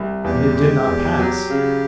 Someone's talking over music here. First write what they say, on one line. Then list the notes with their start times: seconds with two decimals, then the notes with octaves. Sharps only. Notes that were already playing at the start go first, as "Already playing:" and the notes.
But it did not pass.
Already playing: C2
0.24 E2 G4
0.56 G#3
0.87 E2
1.19 F#3
1.50 C#3